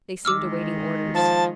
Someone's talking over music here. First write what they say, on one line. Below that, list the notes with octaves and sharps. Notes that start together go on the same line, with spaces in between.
They seemed awaiting orders.
D#3 G#3 D6 E6 F6
F3 A5